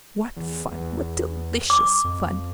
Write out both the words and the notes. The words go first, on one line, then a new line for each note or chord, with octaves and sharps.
What fun--what delicious fun!
E2
E2
D6
F2